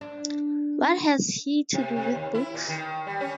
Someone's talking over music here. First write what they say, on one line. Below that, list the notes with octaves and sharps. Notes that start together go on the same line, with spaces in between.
What has he to do with books?
D4
C3
C3
D#2
E4
A#2
D#3
G3
C#4